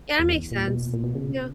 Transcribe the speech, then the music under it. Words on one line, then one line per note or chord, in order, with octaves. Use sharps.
Yeah, that makes sense, yeah.
E2
A#2
B2
A#2
B2
C#3